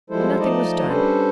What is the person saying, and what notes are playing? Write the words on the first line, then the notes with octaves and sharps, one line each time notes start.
So nothing was done.
F3 G3 G#3 E4 A4 C5
F3 A3 D#4 D5 D#5 A5
G3 C#4 D4 A4 B4 C5